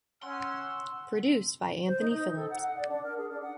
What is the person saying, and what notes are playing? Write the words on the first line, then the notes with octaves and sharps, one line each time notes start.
Produced by Anthony Phillips.
C#4 F#5 C6 E6
C5
D#4
D#4
A4
F#5
F#5
D5
D4
A#4
G#4
D4
F#5